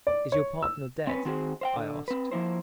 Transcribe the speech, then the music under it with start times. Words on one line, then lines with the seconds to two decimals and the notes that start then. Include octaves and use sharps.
"Is your partner dead?" I asked.
0.07 D5
0.32 C#5
0.62 E6
1.07 C4 C#4 B4
1.25 D#3 C4 F#4 G#4 B4 C5
1.61 C5 F5 G5
1.76 D3
2.08 C4 B4
2.32 F3 A#3 E4 C5